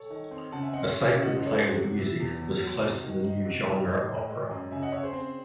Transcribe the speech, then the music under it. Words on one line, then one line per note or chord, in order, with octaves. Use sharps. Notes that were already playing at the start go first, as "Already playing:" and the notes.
A sacred play with music was close to the new genre opera.
Already playing: A4 C#5
D#3
C4
C#3 F#5 A5
E5 G#5
C4 D#5 F#5
C#5 E5
C#4
C#5 E5
C#3
D#5 F#5
F#2 C5 D#5
A4 C#5
F#2 G#4 C5
F#4 A4
C3 F#4
C3 E4
E2
E2
F#3 F#4
C3
D#3
D#4
C3 F#4
D#3
A2 C5 D#5
A2
G#3
F#2
C#3 E5 G#5
D#5 F#5
C#3 C#5 E5
G#4 C5
C4